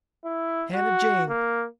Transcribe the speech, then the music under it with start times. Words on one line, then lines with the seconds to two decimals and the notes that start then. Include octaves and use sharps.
Hannah Jane!
0.25 E4
0.74 F#4
1.29 A#3